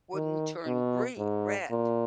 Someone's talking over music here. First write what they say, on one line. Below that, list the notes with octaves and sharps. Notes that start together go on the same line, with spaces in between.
wouldn't turn green red.
D#3
B2
G#2
A#2